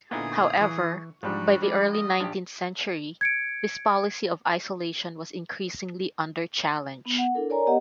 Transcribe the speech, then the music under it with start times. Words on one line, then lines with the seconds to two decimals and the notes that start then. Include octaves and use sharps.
However, by the early nineteenth century, this policy of isolation was increasingly under challenge.
0.11 A#2 D3 B3 D#4 E4 G#4
0.61 E3 C#6
1.23 G#2 F3 G3 D4 F#4
1.62 G#3 D5
1.91 D#5
2.20 A#1 D4 G4
3.21 G#6 C#7 D7
7.06 B3
7.18 F#5
7.35 D4 E4 A4 A#4
7.50 A#4 C#5 D5 G#5 A#5
7.67 B3 G4 D#5 F#5